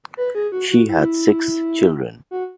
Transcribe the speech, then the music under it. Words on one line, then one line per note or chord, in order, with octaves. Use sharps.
She had six children.
B4
G#4
F#4
F#4
E4
F#4